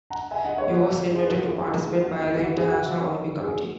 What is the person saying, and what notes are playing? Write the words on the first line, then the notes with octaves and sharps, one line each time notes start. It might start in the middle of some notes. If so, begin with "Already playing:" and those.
He was invited to participate by the International Olympic Committee.
F#5 A#5
E5 G#5
D#5 F#5
C#5 E5
F#4
E4 G#4
G#4 B4
F#4 A#4
E4 G#4
F#4 A#4
E4 G#4
E4
F#4
E4
E4
F#4
E4 G#4
F#4
G#4
F#4